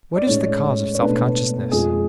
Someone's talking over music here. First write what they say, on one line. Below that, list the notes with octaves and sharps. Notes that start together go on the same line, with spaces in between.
What is the cause of self-consciousness?
D5
A2 G#3 C#4 C#5
C#5
B2 A3 D4 B4
F2 F3 G#3 G#4